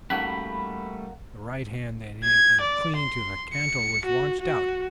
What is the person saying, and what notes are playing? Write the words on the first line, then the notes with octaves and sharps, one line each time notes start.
The right hand that had been clinging to the cantle was launched out.
G3 A3 A#3 C#4 D#4 F#4 B5
G#6
D5
C6
C#7
F#4
F#4